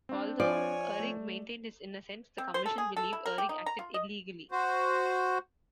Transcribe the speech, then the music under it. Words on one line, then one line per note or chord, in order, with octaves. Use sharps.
Although Uhrig maintained his innocence, the Commission believed Uhrig acted illegally.
C4 D4
F3 C#5 D5 G#5
A3
C4
C5
A4
G#4
A4
E4
A#4
G4
D#4
A#5
F4
D#5
F#4 C5